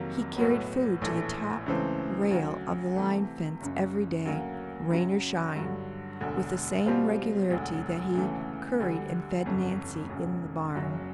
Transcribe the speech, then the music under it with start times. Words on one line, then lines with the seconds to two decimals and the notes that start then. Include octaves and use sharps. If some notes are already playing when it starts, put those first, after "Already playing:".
He carried food to the top rail of the line fence every day, rain or shine, with the same regularity that he curried and fed Nancy in the barn.
Already playing: F2 C3 D#3 F#3 A#3
0.37 B1 A2 F#3 B3
1.02 A#1 A2 E3 A3
1.66 C#2 C#3 E3 A3 C4
2.31 D2 C#3 F#3
2.96 C3 E3 A3
3.61 F#1 F#2 C#3
4.26 D2 C#3 F#3 A#3
4.90 F#2 C#3 F#3
5.56 G2 D3 F#3
6.21 E1 D2 D3
6.86 B2 G3 C4 F4
7.50 E1 D2 D3
8.15 D2 C#3 E3 A3
8.80 D2 D3 G3
9.46 G1 F2 C#3
10.10 E1 D2 C#3
10.75 F#1 F#2 C#3 F#3